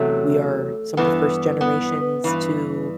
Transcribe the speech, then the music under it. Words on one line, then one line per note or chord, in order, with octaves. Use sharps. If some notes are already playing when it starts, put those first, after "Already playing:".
we are some of the first generations to
Already playing: E2 C3 F#3 A3
G2 E3 B3
B3
G2 E3